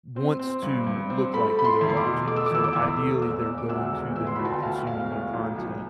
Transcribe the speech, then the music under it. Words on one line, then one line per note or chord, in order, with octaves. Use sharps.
wants to look like who they're watching. So, ideally, they're going to them and consuming their content
C4
C4
G2
G2
C4
A3 B5
A3 B5
C6
E2
C6
D6
B2
A3 D6
E6
D6
E2 E6
D6
E2 E6
D6
A3
E1 E6
E1
D6
D2 E6
E1
E3 E6
C6
D2 B5
A5
G5
D2 F5
E1 F5
A2
B1
B1